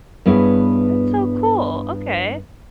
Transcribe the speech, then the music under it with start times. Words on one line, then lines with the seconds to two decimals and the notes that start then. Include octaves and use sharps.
That's so cool, okay.
0.26 G2 B3 E4 G#4 C#5